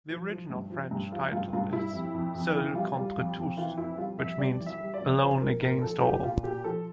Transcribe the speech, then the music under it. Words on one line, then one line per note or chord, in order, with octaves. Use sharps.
The original French title is Seul contre tous, which means "Alone against all".
F3
F3
G2
F3
G2
F3 F4
G2 F4
G2 F4
G2 E4
F2
F2
F2
E3
G3 F4
G3
F2
F2
E3 F4
F2 E4
G3 F4
F2 E5
G3 D5
E3
E5
G3
D5
F2
F3 C5
F3 A#4
A#2 A#4
F3 A4
A#2 G4
A#2 F4
A#2 G4
F3 A4